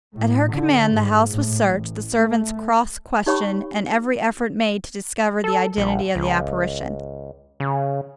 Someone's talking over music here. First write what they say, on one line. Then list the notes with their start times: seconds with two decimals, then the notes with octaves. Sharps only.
At her command the house was searched, the servants cross-questioned, and every effort made to discover the identity of the apparition.
0.16 A2
0.52 D3
0.92 G#2
1.30 A2
1.65 A1
2.16 A3
3.26 D#4 G4 C#5 G5 B5 C#6
5.44 A4
5.77 A#1
6.15 C#2
7.60 C#3